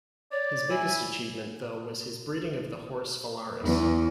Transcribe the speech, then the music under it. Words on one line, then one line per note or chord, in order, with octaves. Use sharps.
His biggest achievement though was his breeding of the horse Phalaris.
C#5 D5
E4 G#5
E2